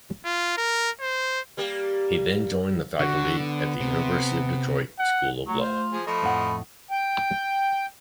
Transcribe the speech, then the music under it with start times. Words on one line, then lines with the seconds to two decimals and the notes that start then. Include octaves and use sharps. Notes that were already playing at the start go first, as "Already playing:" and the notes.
He then joined the faculty at the University of Detroit School of Law.
0.25 F4
0.57 A#4
1.00 C5
1.57 G3 A#3 G4
2.99 D3 F#4
3.39 B3
3.80 C3
4.98 F#5
5.47 F#3 A3
5.61 F4 C5
5.92 F3 G#4
6.07 F3 A3 D#5 B5
6.22 F2 A2 F#5
6.91 G5